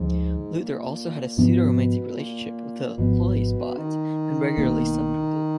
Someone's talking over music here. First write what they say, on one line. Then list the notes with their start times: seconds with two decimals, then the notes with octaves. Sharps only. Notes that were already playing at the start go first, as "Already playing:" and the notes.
Luthor also had a pseudo-romantic relationship with the "Loisbot", and regularly slept with it.
Already playing: D2 G#2 D3 F3
0.57 A#2
1.38 G#2 B2 F3 B3 D4
2.17 A#2
2.97 G#1 G#2 B2 F3 B3
3.77 D#3
4.57 B1 B2 A#3 D4